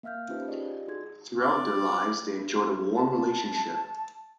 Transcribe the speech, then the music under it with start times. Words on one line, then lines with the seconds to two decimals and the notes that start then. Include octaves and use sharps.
Throughout their lives, they enjoyed a warm relationship.
0.03 A#3 E5 F5 F6 G6
0.29 C#4 D#4 F4 G4 B4 C5
0.48 F4 G4 G#4 D5 D#5
0.88 D#4 F#4 G#4 D5 G#6
1.41 D5
2.95 A5